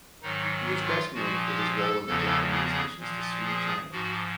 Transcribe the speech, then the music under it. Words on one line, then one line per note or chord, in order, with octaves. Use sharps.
He is best known for his role in the Japanese missions to Sui China.
G#2 D#3 F#3 D#4
F4
A#2 F3 F#4
G4
A4
E2 C#3 F3 A4
G#4
A#2 F3
G#4
G#2 F3 F#4